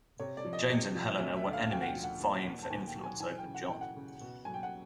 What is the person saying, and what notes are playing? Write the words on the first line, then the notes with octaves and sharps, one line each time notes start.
James and Helena were enemies, vying for influence over John.
C3 C#5
D5
F3
D#5
C3
F3
D2 E5
E5
D3
F5
D2 G5
F#5
G5
F3
F#5
D#2
D#2
A5
D#2 G#5
G5
F#3
G#5
E3 G#5
G5
C#3
F#5
E3 G5
F#5
C#3
B2
F#3 G#5
G5
F#5